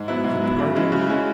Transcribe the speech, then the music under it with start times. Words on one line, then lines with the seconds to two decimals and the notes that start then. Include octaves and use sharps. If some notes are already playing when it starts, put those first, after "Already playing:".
"You pardon me?"
Already playing: G#2
0.08 F#3 B3 E4
0.24 G#2
0.41 F#3 B3 E4
0.58 C#3
0.75 G#3 C#4 E4
0.92 C#3 F#4
1.09 G#3 C#4 E4